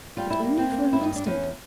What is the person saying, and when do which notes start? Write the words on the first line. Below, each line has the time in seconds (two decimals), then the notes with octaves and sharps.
But only for an instant.
0.17 G3 F4
0.30 E4
0.44 A#3
0.58 C4
0.72 A#3
0.93 E4
1.00 G2 D#4
1.16 D4
1.27 E2 C#4